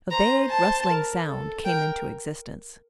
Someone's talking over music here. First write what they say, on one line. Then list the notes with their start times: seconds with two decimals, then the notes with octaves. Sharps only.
A vague rustling sound came into existence.
0.11 C5 A#5
0.49 A5
0.88 A#4
1.26 A4
1.64 A#4 G5